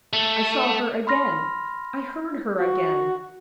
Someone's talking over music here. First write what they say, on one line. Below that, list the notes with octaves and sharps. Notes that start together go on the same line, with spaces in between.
I saw her again; I heard her again.
A3
B5 C6 F6 A#6
F#4